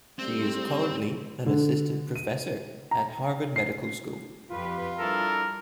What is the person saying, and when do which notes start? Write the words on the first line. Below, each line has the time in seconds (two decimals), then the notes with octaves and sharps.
She is currently an Assistant Professor at Harvard Medical School.
0.19 G3 A3 C4
1.46 D3
2.16 D#7
2.91 A#5
3.56 C7
4.50 F2 F4 G4 B4
4.99 G3 D4 E4 A4 A#4